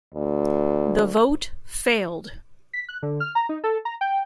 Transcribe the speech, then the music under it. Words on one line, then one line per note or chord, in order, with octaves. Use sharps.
The vote failed.
D2
B6
F#6
D3
F6
A#5
D#4
A4
A#5
G5